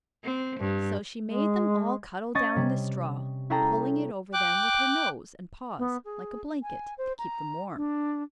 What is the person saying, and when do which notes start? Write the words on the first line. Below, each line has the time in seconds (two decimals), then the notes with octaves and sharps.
So she made them all cuddle down in the straw, pulling it over them with her nose and paws, like a blanket, to keep them warm.
0.24 C4
0.60 G2
1.25 G#3
2.35 C#4 D#5 G#5 C#6 A6 A#6
2.56 C3 G3
3.50 C#4 E4 G#4 A4 G5 A#5
4.33 G5 D6 F#6
5.78 B3
6.05 G#4
6.63 G#5
6.98 C5
7.19 A#5
7.76 D4